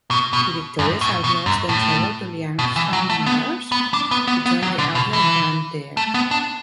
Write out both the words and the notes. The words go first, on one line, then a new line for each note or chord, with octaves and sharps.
The victorious outlaws then travel to Liangshan Marsh to join the outlaw band there.
B2
B2
F#2
A2
B2
F#2
A2
B2
E3
F#3
A3
B3
B3
D4
B3
B3
B3
F#3
D3
B2
E3
A3
B3
D4